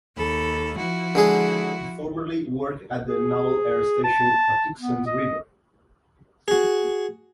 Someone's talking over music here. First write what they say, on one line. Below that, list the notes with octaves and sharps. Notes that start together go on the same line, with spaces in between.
He formerly worked at the Naval Air Station Patuxent River.
D#2 A4 B5
F3 E4 F#4
D3 G#3 G#4
G#4
A5
B3
D#5
F#4 G#4